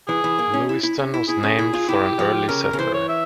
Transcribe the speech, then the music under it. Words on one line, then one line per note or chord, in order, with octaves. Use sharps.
Lewiston was named for an early settler.
E3 G#4
E3
A#3
C#4
E4
E4
C#4
E4
E4 G#4
C#4
E4
F4
E4 G4
F3
C#3 A#4
A#4
C#3
E3 C5
C#5
E5